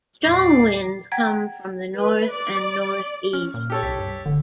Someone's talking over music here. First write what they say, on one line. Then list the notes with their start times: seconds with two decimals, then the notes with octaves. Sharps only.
Strong winds come from the north and northeast.
0.23 E2 A#2 F#3 D5 D6 C7
1.12 F#5 G5 A#5 G#6 B6 D7
1.99 B4
2.33 D5
3.33 C#4 F6
3.54 A#2
3.70 G4 A4 C#5
3.83 C2 B6
3.99 G2
4.26 D1 D3